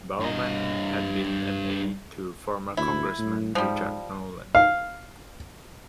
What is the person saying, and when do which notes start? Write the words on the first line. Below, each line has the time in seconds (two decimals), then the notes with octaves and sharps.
Baumann had been an aide to former congressman Richard Nolan.
0.20 G2 D#5
2.77 D2 E4
3.19 A2
3.55 G#2 F3 G3
4.55 F5